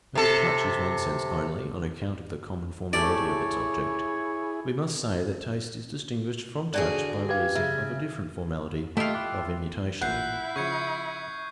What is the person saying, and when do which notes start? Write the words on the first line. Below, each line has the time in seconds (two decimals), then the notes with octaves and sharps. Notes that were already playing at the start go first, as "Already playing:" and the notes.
But if touch is one sense only, on account of the common formality of its object: we must say that taste is distinguished from touch by reason of a different formality of immutation.
0.15 C3 A4
2.93 A3 E4 G4 G#4 C#5 D5
6.74 D3 F#4 G#4 C5 D5 G5
7.29 G4 B4 F5 G#6
7.55 C#3 E5
8.97 A3 E4 F4 G4 D#5
9.14 G5 D6 F#6
10.01 A1 A#2 E4 F#5 F#6 G6 C7
10.56 C#3 F3 C#6 G#6 C#7